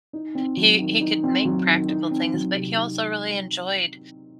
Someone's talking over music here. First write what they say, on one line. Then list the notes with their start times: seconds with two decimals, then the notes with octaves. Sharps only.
He he could make practical things, but he also really enjoyed
0.13 D#4
0.35 C4
0.57 F#3
0.79 D#3
1.01 D#4
1.23 C4
1.45 F#3
1.67 D#3
1.89 D#4
2.11 C4
2.33 F#3
2.55 C3
2.77 D#4